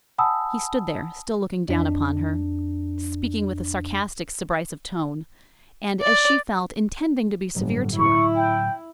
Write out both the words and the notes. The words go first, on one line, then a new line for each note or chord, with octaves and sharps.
He stood there, still looking down upon her, speaking with a sarcastic subrisive tone, and, as she felt, intending to be severe to her.
F#5 G#5 A5 B5 D#6 E6
F2 D4
D5
G1 A2 D3 F#3
E4 C#6
G5